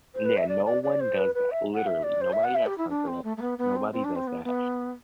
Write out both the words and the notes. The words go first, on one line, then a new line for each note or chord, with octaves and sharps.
and yeah, no one does that, literally. Nobody has time for that. Nobody does that.
C5
B4
E5
D5
D5
D5
C5
B4
B4
E5
F#5
E5
D5
C5
E5
F#5
E5
G4
E4
D4
C4
A3
A3
B3
B3
C4
C4
D4
C4
B3
B3